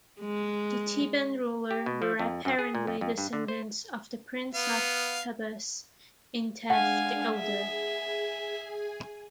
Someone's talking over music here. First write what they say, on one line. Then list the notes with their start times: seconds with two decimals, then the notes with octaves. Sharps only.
The Theban rulers were apparently descendants of the prince of Thebes, Intef the Elder.
0.21 G#3
1.71 G4
1.86 B2
2.02 F3
2.19 F2
2.45 F#2
2.59 G#4
2.75 A#2
2.87 F2
3.01 F2
3.18 G2
3.33 D3
3.48 C5
4.54 B3 F5
6.70 G#3 D4 F5 F#5 G#5
7.36 G#4 E5 G#5